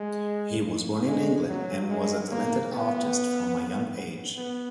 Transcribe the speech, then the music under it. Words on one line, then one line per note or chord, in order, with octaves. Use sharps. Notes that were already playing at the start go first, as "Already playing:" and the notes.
He was born in England and was a talented artist from a young age.
Already playing: G#3
G#3
F#3
G#3
A#3
B3
B3